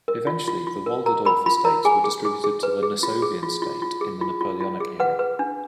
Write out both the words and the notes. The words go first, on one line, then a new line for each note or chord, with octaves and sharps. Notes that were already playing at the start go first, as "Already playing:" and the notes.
Eventually the Walderdorff estates were distributed to the Nassovian state in the Napoleonic era.
A#4
F4
F4
F4
A#4
A#4 A#5
A#4 B5
F4 B5
A#4 A#5
G#4 G#5
G#4
G#4
G#4
B4
G#4
F4
G#4
F4
F4
F4
G#4
F4
F4
F4
G#4
B4 F#5
B4
D4